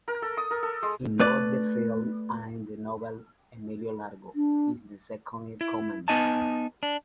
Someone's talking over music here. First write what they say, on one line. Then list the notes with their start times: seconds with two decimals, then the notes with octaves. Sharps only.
In both the films and the novels, Emilio Largo is the second in command.
0.08 A#4
0.22 A4
0.37 D#6
0.51 A#4
0.63 A4
0.82 G#3
1.20 A3 B4 D5
4.35 D4
5.61 E4
6.08 B3 D#4 D#5 G#5 A5
6.83 D4